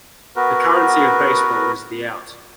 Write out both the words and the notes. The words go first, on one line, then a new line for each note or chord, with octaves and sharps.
The currency of baseball is the out.
B3 F#4 A#4 B4